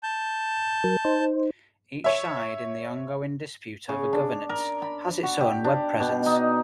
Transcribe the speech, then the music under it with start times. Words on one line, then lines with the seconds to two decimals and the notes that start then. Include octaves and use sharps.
Each side in the ongoing dispute over governance has its own web presence.
0.03 A5 G6
0.84 F#3 A#4
1.05 D#4 C5
2.04 C#5 E5
3.89 C#3
4.13 D4
4.49 A#4
4.82 B5
5.23 F#4
5.40 G4
5.64 D4
6.00 B2
6.26 D#4